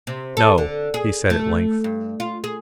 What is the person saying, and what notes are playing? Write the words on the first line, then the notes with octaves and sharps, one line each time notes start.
"No," he said at length.
C3
A4
D3
G#4
A3
G2
F4
G#4